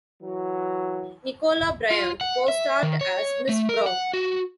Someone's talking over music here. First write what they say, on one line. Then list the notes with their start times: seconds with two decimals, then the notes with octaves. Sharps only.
Nicola Bryant co-starred as "Miss Brown".
0.22 E3 F#3
1.91 F4
2.21 F#5
2.48 E5
2.83 D#3
3.01 C#5
3.49 A3
3.69 A#4
3.86 F#5
4.13 F#4